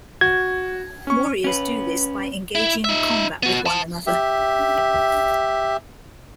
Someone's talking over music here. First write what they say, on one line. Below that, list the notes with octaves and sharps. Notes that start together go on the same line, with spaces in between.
Warriors do this by engaging in combat with one another.
F#4 G#6
C#4 C#6
C#4 B4
E4
D#4 E5
B3 F#4
C5 A5
G4 E5